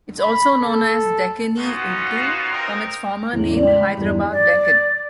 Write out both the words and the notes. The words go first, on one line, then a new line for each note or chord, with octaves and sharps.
It is also known as "Deccani Urdu" from its former name Hyderabad Deccan.
B5
A4
A#3 B3 C#4 D#4 F4 F#4
G#3 C4 D#4 F4 A#4
E2 A2 C#3
G#3 D5
G5 C6 B6
B5
E2 G2 D#4
D5